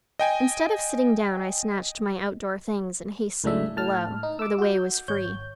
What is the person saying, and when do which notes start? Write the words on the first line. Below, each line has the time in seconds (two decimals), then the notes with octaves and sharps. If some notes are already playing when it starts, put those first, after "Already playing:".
Instead of sitting down, I snatched my outdoor things, and hastened below, for the way was free.
0.19 D#5 G5 G#5
3.44 C#2 A2 G#3 A3 D4 E5
3.77 A2 A5 F6
4.23 D#4
4.39 D6 E6
4.58 F#4 G6
5.08 G#1 C#5 G6